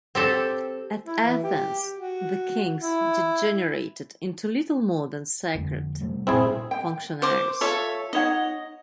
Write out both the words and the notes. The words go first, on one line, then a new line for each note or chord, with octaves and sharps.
At Athens the kings degenerated into little more than sacred functionaries.
C4 G4 A4
E4
E3
G4
F#4
E4
F2 D3 G#3
C3 G3 A3
G2 A#2 C4 E4 G#4
G5
C5 D6
F4 A4 C#5 E5
D#4 C#5 D#5 F#5